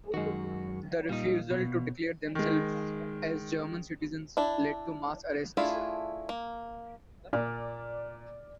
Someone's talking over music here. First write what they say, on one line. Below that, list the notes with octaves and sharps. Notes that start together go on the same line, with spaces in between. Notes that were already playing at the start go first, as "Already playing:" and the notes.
The refusal to declare themselves as German citizens led to mass arrests.
F#2 D#3 G#3 F#4
A#2 G3 D#4 F5
B2
D#3 G#3
D4 E4
A3 D4 E4 F4 G#4
A#3
A#2 D5 F6